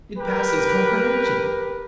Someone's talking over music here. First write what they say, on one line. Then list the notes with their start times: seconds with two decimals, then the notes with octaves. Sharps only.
It passes comprehension.
0.18 G4 A#4 B4